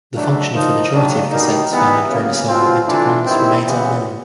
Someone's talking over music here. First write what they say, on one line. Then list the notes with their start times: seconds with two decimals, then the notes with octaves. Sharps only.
The function of the majority of cassettes found in chromosomal integrons remains unknown.
0.13 B2 F#3 A3 D4
0.53 F3 A#3 D#4
0.91 D#3 F#3 A#3 D4
1.30 B2 G3 A#3 D#4
1.68 E3 G3 B3 D#4
2.07 C#3 F#3 A#3
2.47 B2 G3 C4 F4
2.86 E3 A3 D4 F4
3.25 D#3 G3 C4 E4
3.63 C#3 E3 G3 B3